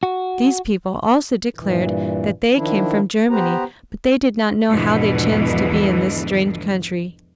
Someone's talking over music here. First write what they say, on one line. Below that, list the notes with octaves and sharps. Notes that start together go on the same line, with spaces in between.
These people also declared that they came from Germany, but they did not know how they chanced to be in this strange country.
F#4
G2 A#2 E3
D#3 F3 D4 E4
B3 G4 B4 C5 A#5
E2 G#2 B2 D3 E3 F3